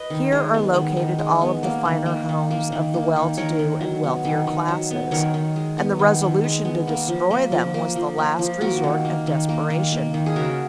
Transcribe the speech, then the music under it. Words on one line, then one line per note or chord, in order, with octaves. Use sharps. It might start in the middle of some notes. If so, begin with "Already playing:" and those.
Here are located all of the finer homes of the well-to-do and wealthier classes, and the resolution to destroy them was the last resort of desperation.
Already playing: B4 D#5
D#3
G#3
B3
D#3
D#3
G#3
B3
A#3
D#3
A#3
D#3
A#3
D#3
A#3
D#3
D#3 A#4 C#5
D#3
F#3
B3
D#3
D#3
F#3
B3
D#3 A#4 C#5
D#3
G#3
B3
D#3
D#3
G#3
B3
A#3
F3
A#3
F3
A#3
F3
A#3
F3
A#3 F#4 A#4
D#3
A#3
D#3
A#3
D#3
A#3
D#3
G#4
C#3 F#4 A#4